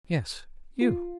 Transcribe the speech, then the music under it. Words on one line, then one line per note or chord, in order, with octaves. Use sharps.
"Yes, you."
F4